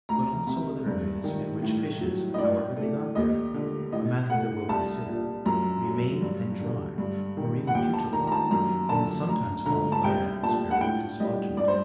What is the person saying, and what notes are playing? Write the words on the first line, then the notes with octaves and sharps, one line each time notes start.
But also other areas, in which fishes--however they got there: a matter that we'll consider--remain and dry, or even putrefy, then sometimes falling by atmospheric dislodgment.
D2 A#5
C3
G2
D#3
A2
F#3
D#5
A2 D5
A3
D#2 D#5
D3
A2 D#5
A3 F#5
C2 A5
A#2
F#2 A#5
F#3
G2
D3
G2
D#3
F#5
D#2 G5
A5
D#3 A#5
A#5
A5
F#2 A#5
D3 A5
D2 A#5
D3 A#5
A5
C2 G5
A#2 A5
F#5
A2 G5
G3 D#5
G2 D5
C5